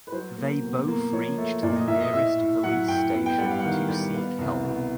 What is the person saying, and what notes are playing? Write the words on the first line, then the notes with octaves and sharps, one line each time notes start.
They both reached the nearest police station to seek help.
B4
F#3 C5
A#3
B2
A#3
F3 C#5
A3
A#2 D5
D#5
A#2 E5
D#5
A2 E5
A2
F#3 F#5
A2 G5
B3
G5
G3 F#5
F5
F#5
D#3 F5
G3
B3 F5
C2
B2